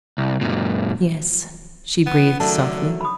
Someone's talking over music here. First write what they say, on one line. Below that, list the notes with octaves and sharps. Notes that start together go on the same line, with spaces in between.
"Yes," she breathed softly.
C2
F#2 A#2
B3
D3 D#3 F#3 A3 A5
B5 D#6